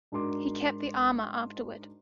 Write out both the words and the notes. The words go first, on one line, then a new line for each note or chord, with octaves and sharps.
He kept the armor afterward.
G#2 D4 F#4 A#4 C6 D6